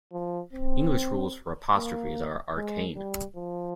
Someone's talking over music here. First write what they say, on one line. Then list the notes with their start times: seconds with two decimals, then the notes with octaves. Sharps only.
English rules for apostrophes are arcane.
0.12 F3
0.53 C4
1.74 A#3
2.56 G#3
2.96 G3
3.36 F3